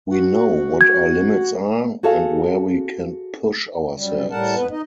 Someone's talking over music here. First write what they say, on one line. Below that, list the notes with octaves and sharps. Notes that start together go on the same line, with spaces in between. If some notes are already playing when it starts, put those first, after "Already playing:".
We know what are limits are and where we can push ourselves.
F#4
G#6
F#4 G#4 A4 C#5 F5
F#2 G3
A2 G3 A#4 F#5 A5
F2 G#2 B3 B4
D#4 D#5